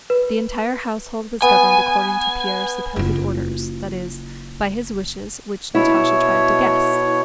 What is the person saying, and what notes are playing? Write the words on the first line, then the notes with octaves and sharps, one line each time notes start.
The entire household was governed according to Pierre's supposed orders, that is, by his wishes which Natasha tried to guess.
B4
B3 G#5
F#1 F4
B2 E4 C#5